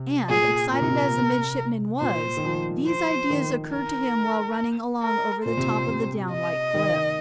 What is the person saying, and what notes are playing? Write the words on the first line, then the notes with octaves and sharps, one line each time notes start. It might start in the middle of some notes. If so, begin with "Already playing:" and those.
And, excited as the midshipman was, these ideas occurred to him while running along over the top of the down-like cliff.
Already playing: C3
A#2 G#4
A#2 A#4
C3
A#2
C3
A#2 C5
D#3
F3
C5
D#3
A#4
A#4
A#2 C5
C3
A#2
C3
D#5
D#3